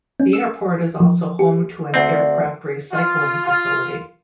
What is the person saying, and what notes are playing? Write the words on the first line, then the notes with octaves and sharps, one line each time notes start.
The airport is also home to an aircraft recycling facility.
C#4
E6
F3
G4
D2 C4 D5
F4
F4